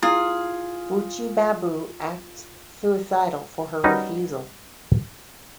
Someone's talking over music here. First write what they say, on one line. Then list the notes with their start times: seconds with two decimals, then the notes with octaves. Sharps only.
Buchi Babu acts suicidal for her refusal.
0.03 E4 F4 G#4
3.84 G3 C#4 D#4 F#4 B4